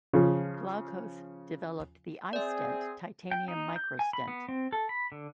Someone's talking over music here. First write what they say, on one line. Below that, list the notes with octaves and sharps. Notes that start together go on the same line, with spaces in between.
Glaukos developed the "iStent" titanium micro-stent.
C#3 F3
C4 G#4 D5 E5
G5
D#4
G6
G#5
B5
B3
C4
A4
B5
D3